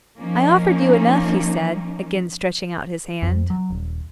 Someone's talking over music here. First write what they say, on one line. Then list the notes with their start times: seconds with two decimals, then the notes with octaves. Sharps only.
'I offer you enough,' he said, again stretching out his hand.
0.19 F3 A#3 C#4 D#4
3.22 F2
3.50 F#3
3.70 D#1